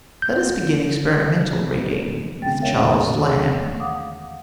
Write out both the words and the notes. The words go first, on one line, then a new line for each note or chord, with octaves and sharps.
Let us begin experimental reading with Charles Lamb.
G6
D3 G#3 B3 C4 G5 A6
E2 C#4 A#4 C#5 E5 F5
D#3 E3 G#4 C#5
A3
F5 F#5 D6 D#6